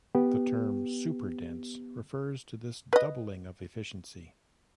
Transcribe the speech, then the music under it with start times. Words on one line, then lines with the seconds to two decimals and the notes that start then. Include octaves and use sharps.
The term "superdense" refers to this doubling of efficiency.
0.15 B3 G4
2.93 B4 D#5